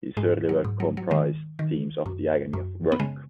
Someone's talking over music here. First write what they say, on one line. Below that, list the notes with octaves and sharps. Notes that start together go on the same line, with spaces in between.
His early work comprised themes of the agony of work.
G#2 G#3
F#3
G#2
F#3
F#3
D#3 G#3
D#3
F#2
F#2
B3
C#3 G#3